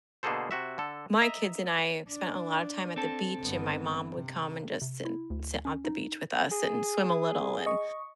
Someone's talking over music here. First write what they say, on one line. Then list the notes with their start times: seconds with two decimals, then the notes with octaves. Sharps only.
my kids and I spent a lot of time at the beach, and my mom would come and just sit sit on the beach with us and swim a little and,
0.23 B2 D3 A#3 G#4 A4 C5
0.51 C3 F#4 E5
0.78 D3 A4
1.22 D#5 E5 A#5
2.09 D4
2.96 C4 A4
3.39 G1 B3
4.14 C3
4.82 C3
5.05 E4
5.30 D2
5.65 C#4
5.85 D#4
6.52 G#4
7.66 D#5 C#6